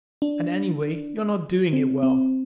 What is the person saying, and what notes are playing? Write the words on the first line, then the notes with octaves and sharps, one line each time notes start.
And anyway, you're not doing it well.
D4
C4
C4